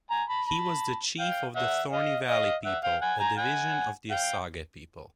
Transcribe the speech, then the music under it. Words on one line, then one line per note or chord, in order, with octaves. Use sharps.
He was the chief of the Thorny-Valley people, a division of the Osage people.
G#5 A#5
A5 B5
A5 B5
F5 G5
E5 F#5
D#5 F5
D#5 F5
E5 F#5
F5 G5
F#5 G#5
G#5 A#5
F#5 G#5
F5 G5